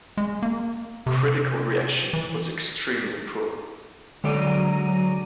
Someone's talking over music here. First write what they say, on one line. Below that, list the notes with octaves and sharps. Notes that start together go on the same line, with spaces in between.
Critical reaction was extremely poor.
G#3
A#3
C3
E3
D3 F#3 G#3 C#5 D5 A#5 D#7